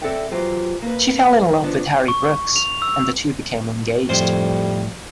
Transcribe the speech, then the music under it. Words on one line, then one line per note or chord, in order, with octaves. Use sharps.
She fell in love with Harry Brookes, and the two became engaged.
C4 A4 D5 E5 F#5 G5
E3 F#3 F4 G4 C5
A#3 B4
D#3 F3 B3 D4
C#6
F7
E6
F2 A2 G3 C5 C6